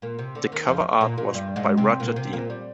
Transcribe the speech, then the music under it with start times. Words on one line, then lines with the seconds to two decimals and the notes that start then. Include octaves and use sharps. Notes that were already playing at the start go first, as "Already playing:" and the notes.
The cover art was by Roger Dean.
0.02 A#2 A#3
0.19 C3
0.35 D2 D3
0.52 D#2 D#3
0.68 F2 F3
1.01 A#2 A#3
1.18 A#2 A#3
1.34 G2 G3
1.56 G#2 G#3
1.77 C3 C4
2.00 A#2 A#3
2.16 C3 C4
2.33 A#2 A#3
2.50 G3